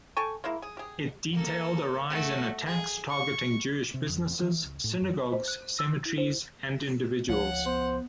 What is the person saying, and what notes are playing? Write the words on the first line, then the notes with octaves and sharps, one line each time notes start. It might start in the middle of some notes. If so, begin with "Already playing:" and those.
It detailed a rise in attacks targeting Jewish businesses, synagogues, cemeteries and individuals.
A4 G5 G#5 C#6
G#3 A#3 E4
G#4
G4 G#4
A#3 A4
A3 F#4
G#4
C#6
C3
F2
E3
C#2
A2
F#2
C5
F#6
E6
E4
C5
C#2 F3 C#5 F#5
B3 C5